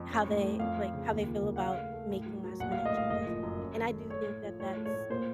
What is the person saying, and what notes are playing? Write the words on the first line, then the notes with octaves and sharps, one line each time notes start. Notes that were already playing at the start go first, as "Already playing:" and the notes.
how they, like, how they feel about making last minute changes, and I do think that that's,
Already playing: F2
C#4
A2
A3
F2 F5
F3
C#3
D#2
F3
C#3
F#5
C#4 F5
A3
A3
A2
F#3
F#3
A#1 F#5
F5
A2
D#5
A2 F5
F#1 D#5
F3
F#2
C#4
D#3
A3
A3 C#5
A2
F3
A2 C#5
A3
C#5
A2
A#2 C5